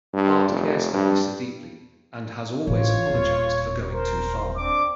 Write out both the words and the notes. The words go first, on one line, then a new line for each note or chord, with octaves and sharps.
Bart cares for Lisa deeply and has always apologized for going too far.
G2
F1
G2
A1 F4 C#5
D#1
A#4 C5
C4 D4 D6